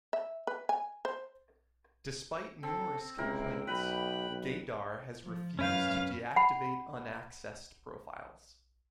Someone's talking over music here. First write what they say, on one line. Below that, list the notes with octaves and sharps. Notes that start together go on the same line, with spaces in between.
Despite numerous complaints, Gaydar has refused to deactivate unaccessed profiles.
E5
B4
G#5
C5
C4 A4
C#2 C3 C4 E4 A#4
B1 B4 G5 B5
B1
F3
F#2 C#4 B4 F5 G6
F#5 B5